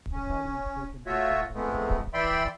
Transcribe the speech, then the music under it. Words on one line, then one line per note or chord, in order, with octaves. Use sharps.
Society is shaken to its foundations.
C#4
A3 F4 F#4 C#5 E5
F2 G#3 A3 B3
E3 D5 E5 G5 B5 C6